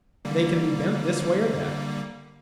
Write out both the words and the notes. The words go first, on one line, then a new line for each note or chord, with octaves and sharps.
They can be bent this way or that.
D3 G3 A#3